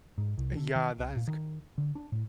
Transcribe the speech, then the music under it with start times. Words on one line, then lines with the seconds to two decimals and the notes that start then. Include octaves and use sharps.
Yeah, that is c
0.18 G#2
0.38 C2
0.57 D3
0.76 D#3
0.99 C2
1.16 A#2
1.28 D#3
1.78 D3
1.95 D4
2.12 A2